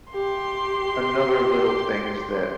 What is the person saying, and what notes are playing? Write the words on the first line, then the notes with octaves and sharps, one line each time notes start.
another little things that
G4 C6